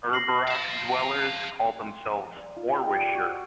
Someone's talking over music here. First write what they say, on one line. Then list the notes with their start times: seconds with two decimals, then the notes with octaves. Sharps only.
Urberach dwellers call themselves "Orwischer".
0.13 A#6 C7 F#7
0.48 F5 A5
0.99 F7
1.81 C6
2.37 D5
2.57 F4
2.72 G4
2.96 D5
3.15 F#4